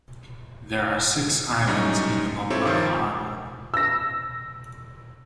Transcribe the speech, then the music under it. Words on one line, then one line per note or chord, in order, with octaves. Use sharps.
There are six islands in the Mumbai Harbour.
F#2 A2 G3 C#4 D#4
C4 E4 F4 G4 A4 C#5
D#3 F3 C5
E6 A#6